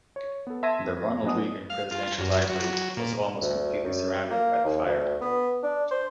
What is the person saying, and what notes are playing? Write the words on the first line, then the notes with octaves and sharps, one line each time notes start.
The Ronald Reagan Presidential Library was almost completely surrounded by the fire.
C#5
B3 A4
E5 A5 C6 G#6 A#6 D#7
F2
F#3 B3 D4 D#5 G#5 D#6
F5
F4
F#2
F#3
A#2
D2
F#2
A#3
D#2
D2
B3
D4
C5